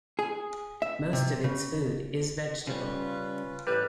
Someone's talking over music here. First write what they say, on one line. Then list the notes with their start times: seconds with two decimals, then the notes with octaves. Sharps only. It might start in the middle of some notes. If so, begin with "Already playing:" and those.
Most of its food is vegetable.
0.19 G#4
0.82 E5
1.13 C3
1.44 C#3
2.67 C#3 G3 C#4 F4 B4
3.67 A1 G3 B4